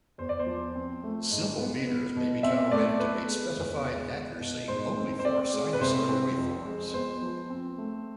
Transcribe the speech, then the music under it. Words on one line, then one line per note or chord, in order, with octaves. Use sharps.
Simple meters may be calibrated to meet specified accuracy only for sinusoidal waveforms.
E2 C5
D5
C5
F3
C4
A3
G#2
B3
B3
B2
C4 E5
A3 D5
B3 B4
G#3
E2
G#3
B3
B2
G#2 C5
C4
C5
C4 D5
G#3
B4
C3 C5
C4
F2
G#3
B3 C5
F3
C4
A3